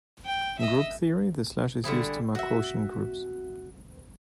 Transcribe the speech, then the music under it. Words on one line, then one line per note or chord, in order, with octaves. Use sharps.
In group theory, the slash is used to mark quotient groups.
G5
D#5 E5
D3 G3 E4 G#4
F#4 E5